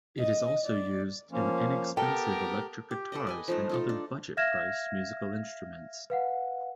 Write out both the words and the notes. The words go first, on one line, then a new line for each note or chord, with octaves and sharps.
It is also used in inexpensive electric guitars and other budget priced musical instruments.
D#5
D5
F3 A#3 C#4
B3 G4 A4 A#4 G5
G4
A4 B4 D5 D#5
B4 D#5 G#5
F3 A3 D#4
D#4 F4 A4
D4
E5 F5 F6 G#6 A#6 E7
B4 F5 F#5